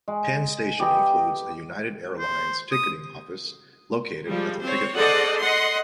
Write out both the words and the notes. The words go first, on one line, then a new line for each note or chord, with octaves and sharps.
Penn Station includes a United Airlines ticketing office, located at the ticket lobby.
G#3
G4 B4 D#5
C5
D#6
F3 G3 G#3
C4 C5 C#5
G#4 A4 C5 D5 D#5 F#5
D#5 F#5 C6